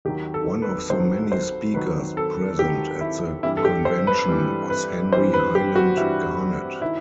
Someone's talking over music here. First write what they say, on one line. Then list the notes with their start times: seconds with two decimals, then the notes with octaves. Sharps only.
One of the many speakers present at the convention was Henry Highland Garnet.
0.05 D#2 D#3 F#3 G4
0.34 A4
0.62 B4
0.90 D#2 D#3 F#3 C5
1.32 C5
1.74 D#2 D#3 F#3 B4
2.17 A4
2.59 D#2 D#3 F#3 G4
3.01 E4
3.43 G2 E3 G3 E4
3.57 A4
3.65 G4
3.85 C5
4.07 B4
4.28 G2 E3 G3
4.70 B4
5.12 G2 E3 G3 C5
5.34 B4
5.55 G4
5.76 F#4
5.97 G2 E3 G3 E4
6.82 D#3 E4